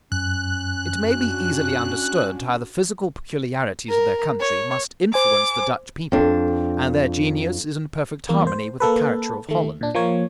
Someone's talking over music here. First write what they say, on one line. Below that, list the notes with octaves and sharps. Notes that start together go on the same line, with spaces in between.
It may be easily understood how the physical peculiarities of their country must influence the Dutch people; and their genius is in perfect harmony with the character of Holland.
F#2 C#4 F#6
D4 F#4
A#4
C#5
C5 G#5 D6
F2 D4
E2 A#3
C5
A#3 A4 B4
D#3 A3
A#2 D4
F3 A#3 C#5